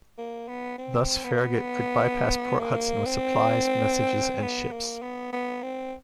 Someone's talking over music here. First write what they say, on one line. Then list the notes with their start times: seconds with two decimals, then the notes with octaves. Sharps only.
Thus, Farragut could bypass Port Hudson with supplies, messages, and ships.
0.18 A#3
0.48 B3
0.78 C4
1.24 B3
1.32 A#3
1.41 B3
2.59 A#3
3.06 C4
4.42 B3
4.72 A#3
5.02 B3
5.32 B3
5.62 C4